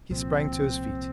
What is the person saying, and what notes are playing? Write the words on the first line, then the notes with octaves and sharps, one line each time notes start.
He sprang to his feet.
C2 A#2 F3 C4